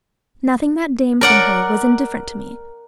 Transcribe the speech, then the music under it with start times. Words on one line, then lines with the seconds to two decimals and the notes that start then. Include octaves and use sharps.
Nothing that dame from her was indifferent to me.
1.21 A#4 D5 F#5